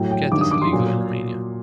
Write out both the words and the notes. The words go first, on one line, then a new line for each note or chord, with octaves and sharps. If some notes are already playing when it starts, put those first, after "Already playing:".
Khat is illegal in Romania.
Already playing: A2 F#3 G5
G5
G2 D#3 F#3 D6
D#6
D6
C6
A#2 F#3